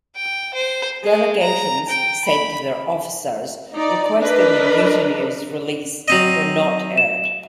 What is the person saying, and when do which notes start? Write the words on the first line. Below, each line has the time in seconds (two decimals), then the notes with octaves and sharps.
Delegations sent to their officers requesting the mutineers' release were not heard.
0.15 G5
0.54 C5
1.03 G#3
1.42 A#5
1.89 G5
2.25 B5
3.74 D#4 D5
4.19 D4 A#4 B4 D#5
6.08 F#3 C4 D#5
6.97 E7